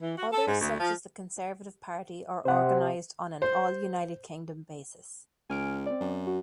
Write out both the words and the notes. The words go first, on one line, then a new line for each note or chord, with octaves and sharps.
Others such as the Conservative Party are organised on an all-United Kingdom basis.
E3
F#4
A4
G#2
D2
F3
C3 C5 F#5
C5
C#2 G#5 F6 D7
C4 D5
F#2
F#4